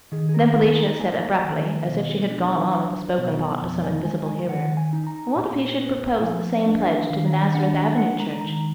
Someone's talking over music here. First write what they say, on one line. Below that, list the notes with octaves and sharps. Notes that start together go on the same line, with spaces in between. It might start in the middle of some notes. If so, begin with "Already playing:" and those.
Then Felicia said abruptly, as if she had gone on with a spoken thought to some invisible hearer: "And what if he should propose the same pledge to the Nazareth Avenue Church?"
D#3 G#4
G#4
A#4
D#4 B4
G#5
A#5
A#3 G#5
A#5
D#3 G#5
G#5
B2
D4
F#3
B2
F2
G#5
G#3 G#5
G#5
D#3 F#5
G#5
D#4
A#5
A#2 G#5
B3
F3 G#5
D#5
D4
F5
D#3 F5
G#5
D4 F#5
F#5
G#3 F#5
A#5
D#3 A#5